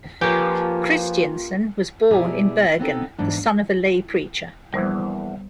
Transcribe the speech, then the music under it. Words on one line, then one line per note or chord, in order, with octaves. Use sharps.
Kristiansen was born in Bergen, the son of a lay preacher.
F3 A#3 C#4 F4 G4 B4 G#5
B2 E4 G4 G#4 D5 A#5
B3 C4 D#4 A4
E2 G#2 D4
A#1 E2 E3 G3 B3 C5